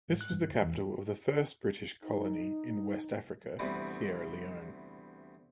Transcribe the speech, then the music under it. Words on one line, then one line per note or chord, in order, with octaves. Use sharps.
This was the capital of the first British colony in West Africa, Sierra Leone.
G#2
F#6
G2
D2
E2
D#4
D2 C3 E3 G3 B3